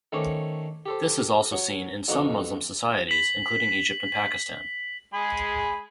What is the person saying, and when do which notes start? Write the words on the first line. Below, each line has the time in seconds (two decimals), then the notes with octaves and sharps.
This is also seen in some Muslim societies including Egypt and Pakistan.
0.12 D#3 A3 C#4 C5 C#5 D6
0.86 G4 A4 C5
1.52 F#3
2.08 F2 B2 D#4 F#4 D6
3.09 B6 F#7
5.14 G#3 G#4 B5